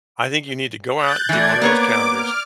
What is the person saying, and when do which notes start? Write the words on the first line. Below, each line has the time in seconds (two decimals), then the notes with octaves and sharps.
I think you need to go out and get one of those calendars,
0.97 F#6 G6 A6
1.29 E3 A3 D5 G#6
1.62 A#3 B3 C#5 D6
2.11 F6